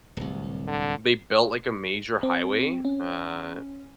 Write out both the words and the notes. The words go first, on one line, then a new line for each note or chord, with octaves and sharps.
they built like, a major highway, uh,
D1 C2
D3
C4
C#4